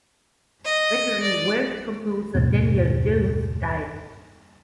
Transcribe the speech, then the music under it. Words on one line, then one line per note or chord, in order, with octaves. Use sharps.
Veteran Welsh composer Daniel Jones died.
D#5
D5
F#1 D#2 G#2 B2